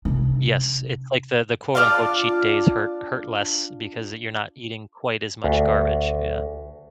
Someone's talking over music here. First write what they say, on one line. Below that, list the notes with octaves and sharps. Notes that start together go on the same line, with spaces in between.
Yes. It's like the the quote, unquote “cheat days” hurt hurt less because, uh, you're not eating quite as much garbage, yeah.
C3 D4
D4 F4 D5 F5
D2